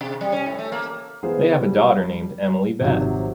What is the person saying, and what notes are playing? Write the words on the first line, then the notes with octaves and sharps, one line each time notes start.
They have a daughter named Emily Beth.
C3
G3
C#4
A2
A3
A#3
E3 B3 F4 G#4 C5 G#5
G3
G#1 C3 D#3 F3 F#3